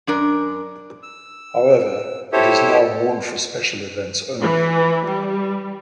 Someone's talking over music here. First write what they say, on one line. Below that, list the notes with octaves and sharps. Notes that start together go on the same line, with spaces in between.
However, it is now worn for special events only.
F#2 D4 A#4
E6
E4 G4 A4 C5 C#5 E5
E3
G3